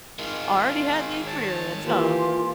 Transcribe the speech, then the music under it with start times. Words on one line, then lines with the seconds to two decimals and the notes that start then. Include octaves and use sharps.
Already had the experience, huh?
0.19 D#3 G#3 F4
1.23 C#5 A5
1.83 E3 A#3 F4 G4